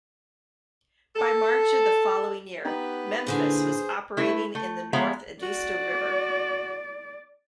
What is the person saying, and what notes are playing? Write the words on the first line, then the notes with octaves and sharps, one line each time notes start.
By March of the following year, "Memphis" was operating in the North Edisto River.
A4
B3 D#4 G4 B4 D#5 G5
A#2 D3 E3 G#4 C5
A3 E4 B4
A3
F3 G#3 B3 E5 F5 A#5
F#4 D5